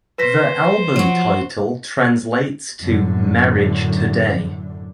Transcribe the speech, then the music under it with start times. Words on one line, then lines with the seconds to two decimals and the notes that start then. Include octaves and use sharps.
The album title translates to "Marriage Today".
0.18 B4 C5 A#6 B6
0.96 F3 F#3 F#4
2.81 F#2 A2 D3